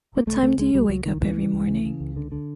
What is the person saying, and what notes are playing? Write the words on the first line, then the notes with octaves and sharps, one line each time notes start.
What time do you wake up every morning?
A#3
C#2 A3
C#3 A3
C#2 G#3
C#2 G3
C#2 F#3
C#2 D#3
C#3 E3
C#3
C#2
C#3
C#3
C#2
D3
D3